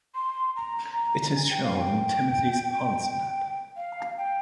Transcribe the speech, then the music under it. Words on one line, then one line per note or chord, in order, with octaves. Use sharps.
It is shown on Timothy Pont's map.
C6
A#5
G#5
G5
F5
G#5
G5
F5
G5